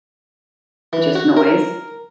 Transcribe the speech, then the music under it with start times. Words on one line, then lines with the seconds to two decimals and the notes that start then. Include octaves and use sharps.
just, noise,
0.93 E3
1.15 F#4
1.37 A#4